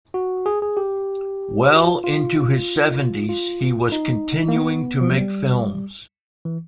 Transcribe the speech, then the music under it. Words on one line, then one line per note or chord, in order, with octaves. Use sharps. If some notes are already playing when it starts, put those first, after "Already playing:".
Well into his seventies, he was continuing to make films.
F#4
G#4
G#4
G4
F#4
F4
F4
F4
D#4
A#3
B3
F3
F#3
G3
E3